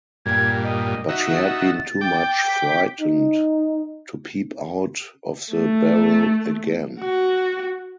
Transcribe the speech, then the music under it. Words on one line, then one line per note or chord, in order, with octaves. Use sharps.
But she had been too much frightened to peep out of the barrel again.
G2 A#2 G#6
D#5
D#4 F#4 E5
A6
G5 D6
B6
D#4
A3
F#4